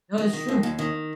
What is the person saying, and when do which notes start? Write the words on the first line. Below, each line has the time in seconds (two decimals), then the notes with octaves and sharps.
No, that's true.
0.18 D#3
0.33 D#3
0.49 D#2
0.63 D#2
0.79 D#3